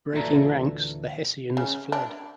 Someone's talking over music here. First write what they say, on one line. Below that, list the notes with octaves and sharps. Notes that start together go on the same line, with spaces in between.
Breaking ranks, the Hessians fled.
D2 A#2 E3 A3 D5 A#5
C#3
D4